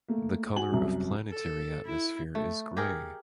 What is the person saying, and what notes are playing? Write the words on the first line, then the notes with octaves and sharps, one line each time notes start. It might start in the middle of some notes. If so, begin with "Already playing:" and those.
The color of planetary atmosphere is grey.
A3 A#3
F#4 G#5 F#7
C2 F#2
A4
E4
A3
G4 G#4 A#4